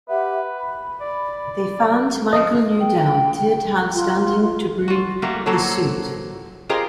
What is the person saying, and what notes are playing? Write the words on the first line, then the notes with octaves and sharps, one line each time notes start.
They found Michael Newdow "did" have standing to bring the suit.
G4 B4 E5 F#5
B5
D5
F3 D#5
G5
F4
F4 F#4
F#3 G3 A3 A#3 F#4
F#3 A#3 F#4 A4 C5 C#5
F4 G4 G#4 A#4 C5 D#5